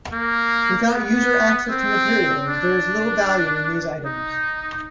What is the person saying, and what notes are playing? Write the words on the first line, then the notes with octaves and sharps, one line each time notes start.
Without user access to materials, there is little value in these items.
A#3
B3
C4
D4
D#4